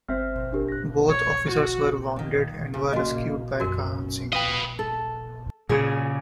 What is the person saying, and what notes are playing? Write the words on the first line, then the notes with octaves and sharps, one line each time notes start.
Both officers were wounded, and were rescued by Kahan Singh.
G1 C4 C5 E5 F6
D4 G4 A#4
F#6 A#6
C#5
F#4
A#2 D#3
C#3
A#2 C#3 A#3 F#4 D#5
F#2 C#4 F#4 A#4
F4 B4 D#5 F5 G5
A4
A#2 C#3 G#4